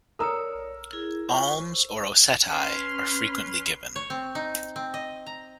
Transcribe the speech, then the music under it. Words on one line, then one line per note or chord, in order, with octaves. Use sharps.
Alms or "osettai" are frequently given.
A4 A#4 C#5 D5 A#5 D#6 E6
E4 G#4
F4 C#5 C#6
C5
C#4 B4 C6 F6
C#5
C4
D#4
C4
D#5
A#5